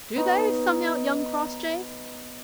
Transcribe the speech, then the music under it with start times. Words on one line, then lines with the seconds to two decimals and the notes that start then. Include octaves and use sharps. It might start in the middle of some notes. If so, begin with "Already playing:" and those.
"Do they?" sung out young Crossjay.
0.16 B3 D#4 C#5